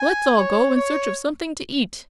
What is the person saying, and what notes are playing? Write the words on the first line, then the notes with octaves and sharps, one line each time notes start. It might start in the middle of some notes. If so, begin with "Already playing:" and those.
"Let's all go in search of something to eat!"
Already playing: G#5
C#5
C#5